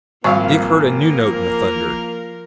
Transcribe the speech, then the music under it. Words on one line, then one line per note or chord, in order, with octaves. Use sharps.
Dick heard a new note in the thunder.
G#1 F3 G3 A#3 F5 C#6
F3 A#4